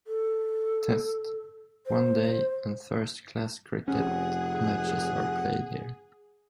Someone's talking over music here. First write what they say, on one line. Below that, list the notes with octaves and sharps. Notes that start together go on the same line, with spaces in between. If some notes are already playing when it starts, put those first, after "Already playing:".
Test, One Day and First class cricket matches are played here.
A4
C5
F1 C#4 G#4 F#5